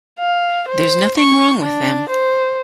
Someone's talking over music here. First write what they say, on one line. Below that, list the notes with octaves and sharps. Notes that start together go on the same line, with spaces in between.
There's nothing wrong with them.
F5
C5
C#6
D4
C5